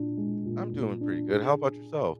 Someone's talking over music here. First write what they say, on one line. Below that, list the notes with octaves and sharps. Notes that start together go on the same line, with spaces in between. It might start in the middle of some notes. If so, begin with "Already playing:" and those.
I'm doing pretty good, how about yourself?
Already playing: A#2 D4
G#3
A#2
A#2
D4
G#4